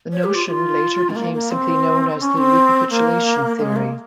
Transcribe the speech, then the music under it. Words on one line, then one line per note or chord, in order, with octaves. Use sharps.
The notion later became simply known as the recapitulation theory.
C#5
G4
F4
F4
G#3
A#3
A#3
C4
C#4
C4
A#3
G#3
A#3